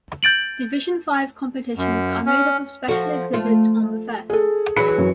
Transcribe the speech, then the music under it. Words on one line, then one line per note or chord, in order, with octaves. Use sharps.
Division Five competitions are made up of special exhibits on the fair.
G6 A6 D7 F#7
F#2
C#4
F3 F#4 A4
A3 F4
G#4 A4
E3 F#3 G#4 B5 C#7
F#2